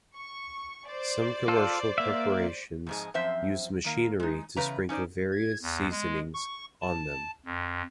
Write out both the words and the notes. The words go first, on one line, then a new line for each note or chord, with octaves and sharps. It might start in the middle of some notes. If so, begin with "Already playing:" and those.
Some commercial preparations use machinery to sprinkle various seasonings on them.
C#6
C5 D5
F4 A4
A#3 E5
F2 G#2 G#3
F#2 F3 C4 C5 E5
D#3 A#3
G#3 D#4
E2 C#3 B4 A#5
C#4 D#4 C5 D5
G#6
E2
G#3
C#6
A5
F2